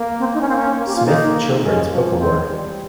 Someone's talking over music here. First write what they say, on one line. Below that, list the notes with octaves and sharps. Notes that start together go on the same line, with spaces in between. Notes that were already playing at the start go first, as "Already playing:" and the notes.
Smith Children's Book Award.
Already playing: A#3
C4
D#4
C#4
A#3 C4
C#4
A#3
G4
F4
A#3 D#4
D#4
G#3 C#4
F3
A#3
G#3 C4
G3